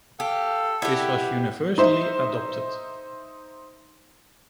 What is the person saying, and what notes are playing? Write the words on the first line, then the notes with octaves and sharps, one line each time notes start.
This was universally adopted.
G4 A4 F5
E4 G4 F#5
D#4 C5 E5